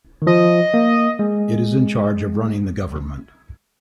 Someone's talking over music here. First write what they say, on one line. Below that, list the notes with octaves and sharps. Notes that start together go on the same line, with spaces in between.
It is in charge of running the government.
D#3
F3 D#5
A#3
G#3